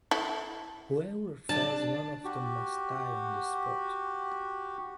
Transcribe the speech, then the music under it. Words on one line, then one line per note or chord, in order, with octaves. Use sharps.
Whoever fells one of them must die on the spot.
E4 A4
D4 A5
F#4 G4